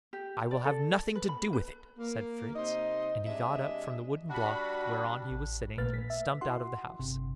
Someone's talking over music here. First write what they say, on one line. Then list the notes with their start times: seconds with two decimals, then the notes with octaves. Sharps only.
"I will have nothing to do with it!" said Fritz, and he got up from the wooden block whereon he was sitting and stumped out of the house.
0.13 G4
0.51 D5
0.65 A4
1.15 B4
1.29 B5
1.53 B4
1.98 A#3
2.55 C3 D#4 C5 D#5
3.26 C3 G#3 D4 D#5 E5
4.29 G3 D4 F#4 B5
5.31 A1
5.78 A#1 A#2 A3 B4 F6 A6
5.94 B6
6.10 E5
6.41 E4 F#4 F#5 C6
6.99 G1 C3